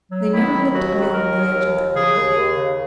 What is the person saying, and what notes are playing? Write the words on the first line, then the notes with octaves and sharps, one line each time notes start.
They never looked beyond the edge of their work.
F#3
D#3 E4
F#3
D#2 F#4
D#3
D#2 A#4
F#3
D#2
D#2
C#3 G#4
D#2
D#2
C#3